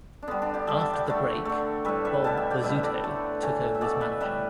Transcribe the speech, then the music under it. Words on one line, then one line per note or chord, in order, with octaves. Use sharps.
After the break, Bob Bozzuto took over as manager.
D4
D3 G3 B3
D4
D4 G4
D3 G3 E5 A5
E5 A5
D5 G5
D3 A3
D3 A3
A2 G3 B4 E5
B4 E5
B2 G3 E5 A5
E5 A5
D5 G5
A2 G3 B4 E5
A4 D5
D3 A3
A2 E3 A3
E5
B2 A3 A4 D5
B4 E5
A2 G3 B4 E5